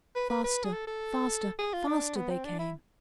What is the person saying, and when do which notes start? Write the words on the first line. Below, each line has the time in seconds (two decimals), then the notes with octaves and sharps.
Faster, faster, faster, they came.
0.16 B4
0.30 B4
0.44 B4
0.65 G#4
0.73 A4
0.87 A4
1.59 G#4
1.74 F4
1.87 D4
2.16 B3
2.30 C4
2.45 D4
2.59 E4